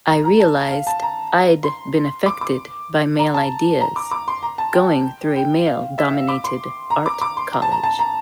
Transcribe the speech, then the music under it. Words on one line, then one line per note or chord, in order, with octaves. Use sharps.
I realized I'd been affected by male ideas, going through a male-dominated art college.
A#5
A#5
A5
F5
A5
A#5
C6
D6
D6
A#5
A5
A#5
D6
D6
C6
A#5
A5
G5
G5
F5
E5
F5
D6
C6
A#5
D6
D6
C6
A#5
A5
A#5
A5
A#5